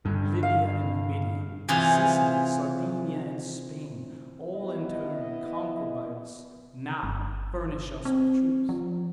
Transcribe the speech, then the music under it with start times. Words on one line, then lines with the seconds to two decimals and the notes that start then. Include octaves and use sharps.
Libya and Numidia, Sicily, Sardinia, and Spain, all in turn conquered by us, now furnish us with troops.
0.05 G2 D3
0.43 F5
1.69 C3 E3 F4 G#4
4.54 B3 E4 D#5
7.03 G1
8.05 C4
8.69 F3